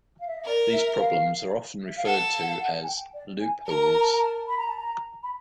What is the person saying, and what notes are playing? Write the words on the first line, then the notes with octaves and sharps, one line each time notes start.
These problems are often referred to as "loopholes".
F5
E5
D#5
A#4 D5
E5
F5
E5
F5
A4 F#5
F5
F#5
F5
F#5
G#5
G5
D5
G#5
A#4 A5
A#5
A5
A#5
A5
A#5
A5
B5
A#5
A5
A#5
B5